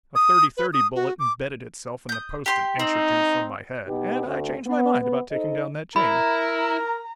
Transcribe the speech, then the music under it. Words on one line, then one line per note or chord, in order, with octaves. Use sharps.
A thirty-thirty bullet embedded itself in the post an inch or two from my head, and I changed my mind about taking down that chain.
D#6
B4
D#6
F#4
D6
D#6 G6
G4 C6
C4 D#4
B2 B3 D#4 G4
D2
B3
B3
D#4 A4 C5 D#5
E4 A#4 A#5 B5